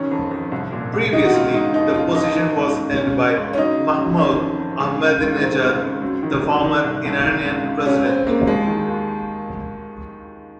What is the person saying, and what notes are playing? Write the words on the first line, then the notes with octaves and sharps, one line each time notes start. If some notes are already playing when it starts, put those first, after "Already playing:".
Previously, the position was held by Mahmoud Ahmadinejad, the former Iranian President.
Already playing: F#2 D#3 C#4
F2
F2
C2
A#2
C2
D#3 D#4
F#4
C#2 F4
C#2 D#4
D#2 D#4
C#3 F4
D#2 D#4
D#3
C#2
C#2
C#2 C#4
C#3
C#2
C#4
F#2 D#4
C#3
F#2
D#3 C#4
F2
F2
C#2
C#3
C#2
D#3 C4
C#2
C#2
F#2
D#3
F#2
D#3
C2
C2
D#3
C#2
C#2
C#2 C#4
C#3 C4
C#2 A#3
D#2 G#3
D#3
D#2